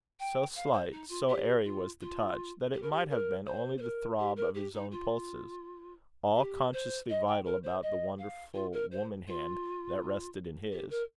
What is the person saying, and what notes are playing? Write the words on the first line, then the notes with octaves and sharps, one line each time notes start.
So slight, so airy was the touch, that it might have been only the throb of his own pulses, all consciously vital about the wonderful woman-hand that rested in his.
G5
F5
C5
D#4
F4
G4
F4
F4
G4
A#4
G4
A#4
C5
C5
A#4
G4
A#4
G4
D#4
F4
G4
C5
D#5
G5
A#4
C5
D#5
F5
F4
A#4
C5
F4
G4
A#4